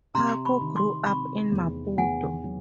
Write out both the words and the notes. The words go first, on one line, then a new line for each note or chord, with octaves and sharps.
Paco grew up in Maputo.
C3 A#5 C6
B5 C#6
D#3
C6 D6
C3 B5 C#6
E2
E2 F#5 G#5
F#3